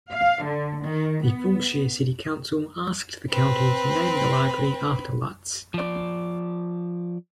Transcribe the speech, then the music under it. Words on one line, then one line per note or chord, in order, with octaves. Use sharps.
The Fulshear City Council asked the county to name the library after Lutts.
F5
D3
D#3
B3
C4 B4
F3 D5